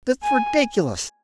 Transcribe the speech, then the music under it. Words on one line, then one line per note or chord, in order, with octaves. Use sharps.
That's ridiculous.
G#5